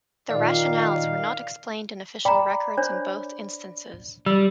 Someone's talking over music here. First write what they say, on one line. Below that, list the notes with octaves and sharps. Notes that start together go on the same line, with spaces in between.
The rationales were not explained in official records in both instances.
A#2 D#3 D5 F5
D5 G5 A#5 B5
D4 C5 C#5
G3 E6